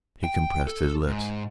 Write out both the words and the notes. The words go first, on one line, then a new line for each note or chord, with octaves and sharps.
He compressed his lips.
G5
A4
G#2